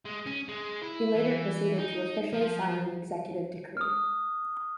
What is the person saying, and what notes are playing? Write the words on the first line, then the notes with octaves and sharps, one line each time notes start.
He later proceeded to officially sign the executive decree.
G#3
C#4
G#3
E4
E3
D#4
F3
D#6 F6